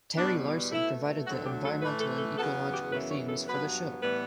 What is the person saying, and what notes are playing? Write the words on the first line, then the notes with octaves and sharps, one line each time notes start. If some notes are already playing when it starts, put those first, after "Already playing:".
Terry Larsen provided the environmental and ecological themes for the show.
E2 B2 G3 B3 D4
B2 A3 E4
D2 D3 F#3 A3 F#4
G4
A4
A2 E3 A3 B4
A4
A4
E2 C#3 F#3 B3 A4
G4
F#2 C#3 E3 B3 B4
C#5
A4
G2 F#3 B3 B4
A2 E3 G3 B3 B4